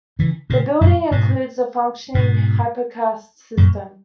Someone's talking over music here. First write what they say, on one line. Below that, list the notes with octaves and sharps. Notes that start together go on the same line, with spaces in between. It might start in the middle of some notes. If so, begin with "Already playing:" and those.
The building includes a functioning hypocaust system.
C#3 E3
A#2 C#3
F#2 A#2
G#2 B2
G#2 B2
F#2 A#2